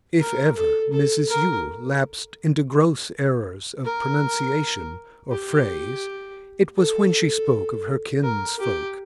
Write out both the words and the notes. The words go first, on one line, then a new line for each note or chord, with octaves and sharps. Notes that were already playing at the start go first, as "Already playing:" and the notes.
If ever Mrs Yule lapsed into gross errors of pronunciation or phrase, it was when she spoke of her kinsfolk.
A#4
A4
A4
A#4
A#4
G4
A4
A#4
G4